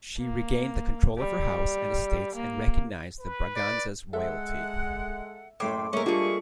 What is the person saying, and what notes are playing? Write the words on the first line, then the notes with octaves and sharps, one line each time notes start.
She regained the control of her House and estates and recognised the Braganzas royalty.
A#3
G3
A#3
B4
D5
G#3 A4 E5 F#5
F#1 A2 A3 C#5 G5 C6 D6
A#2 G#3 A3 C#4 A#4 E5 C#6
G3 A#3 D4 F4 G#4 A4